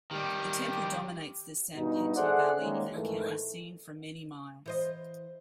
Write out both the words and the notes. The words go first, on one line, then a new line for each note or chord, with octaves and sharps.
The temple dominates the Sanpete Valley, and can be seen from many miles.
D#3 G3 G4
G2 B2 D#4
G#4 A4 C5 D5 E5 F#5
D#3 G3 G#3 A#3 C#4
G#2 D#3 E3 A3
E3 C5 D#5